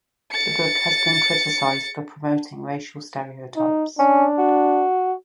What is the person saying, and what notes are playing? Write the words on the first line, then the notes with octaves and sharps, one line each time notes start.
The book has been criticized for promoting racial stereotypes.
A6 C#7
D#4
C#4 D4
F#4